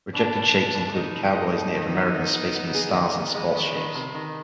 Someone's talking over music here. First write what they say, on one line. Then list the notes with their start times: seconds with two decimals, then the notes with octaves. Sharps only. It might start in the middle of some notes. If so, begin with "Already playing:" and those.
Rejected shapes included cowboys, Native Americans, spacemen, stars, and sports shapes.
0.14 B2 D4
0.34 B2
0.54 B2
0.75 B2
0.94 G#3 D#4
1.14 B2
1.35 G#3
1.54 B2
1.75 D#3
1.95 B3
2.15 B3
2.34 B3
2.55 B3
2.74 G#4
2.95 D#3
3.15 B3
3.34 G#3 B4
3.54 D#3
3.75 D#3
3.95 C3
4.14 D#3